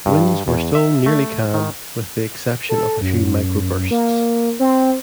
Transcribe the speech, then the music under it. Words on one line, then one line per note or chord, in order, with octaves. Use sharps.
Winds were still nearly calm, with the exception of a few microbursts.
G2
E2
E5
A3
D#3
A4
F#2
A#3
C4